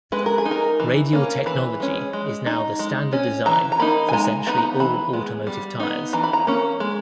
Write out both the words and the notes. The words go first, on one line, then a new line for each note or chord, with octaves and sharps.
Radial technology is now the standard design for essentially all automotive tires.
G#3 B4
A#4
G#4
D#4
A#4
E3
A#3 C#4
E3 B4
G#3 C#4
G#3
D#4
G#3
C#4
E3 A#5
A#5
A#3 D#4 B5
G#5
G#3 A#5
B3 D#4 B5
A#5
E3 B5
G#3 B3
G3
B3 D#4
E3 A#5
B5
A#5
A#3 C#4
G#3